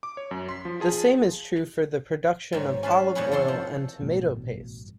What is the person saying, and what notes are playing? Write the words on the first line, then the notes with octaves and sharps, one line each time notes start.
The same is true for the production of olive oil and tomato paste.
D6
C#5
F#2
C6 B6
F3
F4 G#4 A5
G#2 D#3 F#3
C#4 F4 B4 F5 A5
F#2 A2 C3 B3 C#4 B4
E2 A4 F#5 C6
F3
A1 G2 B2